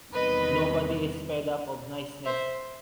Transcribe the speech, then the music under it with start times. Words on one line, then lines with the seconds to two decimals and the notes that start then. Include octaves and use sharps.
Nobody is fed up of niceness.
0.12 E2 C3 D#3 G3 B3 B4 D#5
2.25 C5 E5